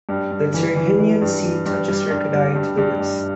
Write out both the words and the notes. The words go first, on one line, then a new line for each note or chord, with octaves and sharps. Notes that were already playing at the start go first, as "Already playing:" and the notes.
The Tyrrhenian Sea touches Ricadi to the west.
G2
G2
E3
E3
E3
G2
E3
G2
G3
G2
G3
G2
G2
G2